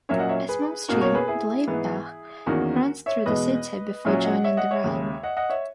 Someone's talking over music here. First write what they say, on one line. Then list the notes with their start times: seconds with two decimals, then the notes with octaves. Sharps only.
A small stream, the Leimbach, runs through the city before joining the Rhine.
0.09 A#2 F#3 A#3 C#4 C#5 E5
0.19 D#5 F#5
0.29 C#5 E5
0.49 G#4 B4
0.88 B2 A#3 C#4 F#4 A#4
1.01 A#4 C#5
1.14 G#4 B4
1.27 E4 G#4
1.67 G#2 E3 B3
2.46 E2 D#3 A#3 C#4 F#4 A#4
3.06 C#5 E5
3.26 E2 B2 G#3 B4 D#5
4.05 A#2 F#3 C#4 C#5 E5
4.24 D#5 F#5
4.44 C#5 E5
4.57 D#5 F#5
4.71 C#5 E5
4.84 D#2 C#3 G#3
5.23 D#5 F#5
5.37 D#5 F#5
5.50 C#5 E5